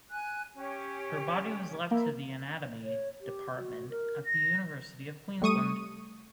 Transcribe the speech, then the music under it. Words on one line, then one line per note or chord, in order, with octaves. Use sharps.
Her body was left to the anatomy department at the University of Queensland.
G#5 F#6
C#4 G4
A#3 E4
C#5
G4
F#4
A#4
A#6
G3 A3 C#6 D#6 D#7